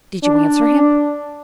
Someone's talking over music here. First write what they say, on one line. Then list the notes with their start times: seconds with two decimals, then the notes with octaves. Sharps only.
"Did you answer him?"
0.24 D4